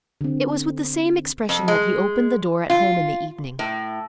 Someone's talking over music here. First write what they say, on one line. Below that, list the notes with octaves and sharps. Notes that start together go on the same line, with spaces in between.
It was with the same expression that he opened the door at home in the evening.
D3 C4
F2
G#3
F4
A2